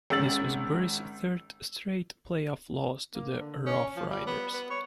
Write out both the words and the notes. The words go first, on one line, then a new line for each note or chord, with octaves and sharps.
This was Burris' third straight play-off loss to the Roughriders.
G#1 C#4 E6 A6 F#7
A#3
D3
C#4
F3
G3
B3
B3
C#5